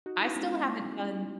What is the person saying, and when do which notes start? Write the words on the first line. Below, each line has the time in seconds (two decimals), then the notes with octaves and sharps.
I still haven't done
0.06 D#4 F#4
0.21 C#4 E4
0.36 G#3 B3
0.51 G#3 B3
0.65 A3 C#4